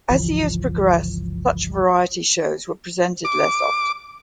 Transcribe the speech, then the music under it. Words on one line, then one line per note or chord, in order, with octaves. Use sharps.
As the years progressed, such variety shows were presented less often.
G1 C#2 E3 F3
D6